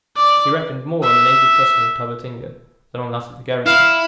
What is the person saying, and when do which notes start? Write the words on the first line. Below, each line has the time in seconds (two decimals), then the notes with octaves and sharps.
He reckoned more on the native custom of Tabatinga than on that of the garrison.
0.17 D5
1.04 E5
3.66 E4 F5